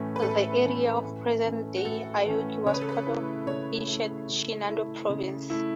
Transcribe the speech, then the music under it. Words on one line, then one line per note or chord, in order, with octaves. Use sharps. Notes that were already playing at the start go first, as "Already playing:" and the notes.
The area of present-day Aoki was part of ancient Shinano Province.
Already playing: A2 E3 A3 C#4
B4
A2 A4
E3 A3 C#4
A2
E3 A3 C#4
F#4
A2 A4
E3 A3 C#4
C#3 C#5
B4
A4
B4
A3 E4
C#3 C#5
A3 E4
C#3
A3 E4
C#3
A3 E4